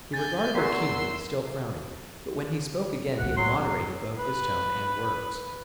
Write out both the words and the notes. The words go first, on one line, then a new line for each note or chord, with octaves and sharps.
He regarded her keenly, still frowning, but when he spoke again he had moderated both his tone and words.
G#5 G6 A6
E2 F#3 A#4 C6 E6
C#2 D#3 F#5
A2 F#3 C6
B4